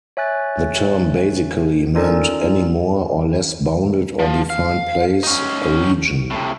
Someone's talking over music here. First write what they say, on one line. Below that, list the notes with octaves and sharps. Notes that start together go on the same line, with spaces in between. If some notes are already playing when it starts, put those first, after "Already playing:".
The term basically meant "any more or less bounded or defined place, a region".
C#5 E5 G#5 F#6 A6
C#4 D#4 F4 A4 A#4 D5
F3
F5
C#4 D#4
A2 C3